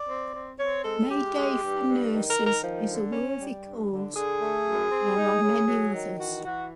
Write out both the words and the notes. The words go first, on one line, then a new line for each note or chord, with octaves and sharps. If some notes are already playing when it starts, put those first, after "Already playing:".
Mayday for Nurses is a worthy cause, but there are many others.
Already playing: D5
C4
C4
C4 C#5
G#3 A4
G#3 G4
G#3
G2
G2
D#3
A#4
D#3
A#4
F3
D3
C#4
G3
G2
D3
D3 G#4
A3
F#2
C4
D#4
C#3
F#3
D#3
E3 F#4
E3 F#4